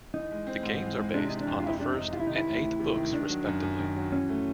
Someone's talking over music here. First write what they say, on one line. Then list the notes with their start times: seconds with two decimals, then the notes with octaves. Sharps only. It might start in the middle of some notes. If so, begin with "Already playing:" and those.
The games are based on the first and eighth books respectively.
0.14 E3 D#4
0.31 G#3
0.47 C4
0.63 G#2
0.80 E3
0.97 G#3
1.14 C3 D4
1.28 E3 D#4
1.41 D4
1.47 F2
1.60 F4
1.64 F2 E4
1.73 D#4
1.79 C3 D4
1.96 E3 D#4
2.13 C3 F4
2.20 E4
2.27 D#4
2.30 D#3 E4
2.47 D2
2.63 D2
2.80 C3
2.96 D#3
3.12 D#3 D4
3.29 F#3
3.46 F#2
3.62 F#2
3.79 D#3
3.96 F#3
4.12 E3 C#4
4.29 A3